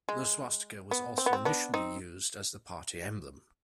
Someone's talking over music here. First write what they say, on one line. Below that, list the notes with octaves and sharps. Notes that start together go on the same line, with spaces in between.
The swastika was also initially used as the party emblem.
G#3
B3
C4
B3
C4
B3 D4
C4 D#4